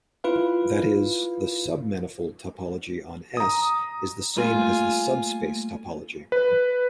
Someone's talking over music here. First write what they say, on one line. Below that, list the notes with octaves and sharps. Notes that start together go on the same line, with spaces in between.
That is, the submanifold topology on "S" is the same as the subspace topology.
E4 F4 B4 F5
A#5 D#6
G3 A3 A#3 F4 G#5
B4